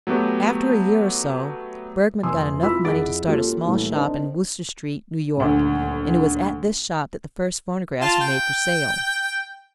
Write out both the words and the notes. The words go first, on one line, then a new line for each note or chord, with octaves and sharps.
After a year or so, Bergmann got enough money to start a small shop in Wooster Street, New York, and it was at this shop that the first phonographs were made for sale.
F#3 A3 B3 G4
F1 G#5 C6 D#6 E6
C3 E4 F4 B5 E6 B6
F2 E4 G#4 F#5 A6 D7
A#3 C#4 F4 G4 A4
C2 A2 E3 A3 A#3
C4 D4 D#4 A#4 C5
D#1 D2
F4 A5
G5